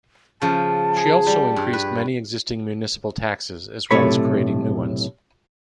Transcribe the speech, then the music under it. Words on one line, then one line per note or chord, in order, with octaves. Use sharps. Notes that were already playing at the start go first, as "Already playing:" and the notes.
She also increased many existing municipal taxes as well as creating new ones.
C#3 F3 A5
G#4
G3
G2
B4
B1 A2 C3 A3 C#5 B5